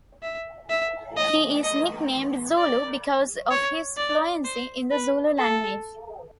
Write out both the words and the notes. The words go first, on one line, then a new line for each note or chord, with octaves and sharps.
He is nicknamed "Zulu" because of his fluency in the Zulu language.
E5
E5
D#5
D#5
D5
C#5
D5
C5
B4
A4